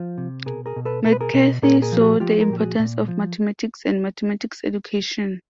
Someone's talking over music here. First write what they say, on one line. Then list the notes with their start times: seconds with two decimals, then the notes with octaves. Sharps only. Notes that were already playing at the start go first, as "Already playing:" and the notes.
McCarthy saw the importance of mathematics and mathematics education.
Already playing: F3
0.18 C3
0.46 B2 G#4 A#4
0.66 G#4 A#4
0.76 B2
0.85 A4 B4
1.05 B2 A#4
1.12 B4
1.21 G#4 A#4
1.34 B2
1.62 A#2 G#4 A#4
1.82 G#4 A#4
1.92 F3
2.01 F#4 G#4
2.20 F3 F4 G4
2.40 G#4 A#4
2.50 A#2 G4
2.60 F#4 G#4
2.79 A#2
3.08 F3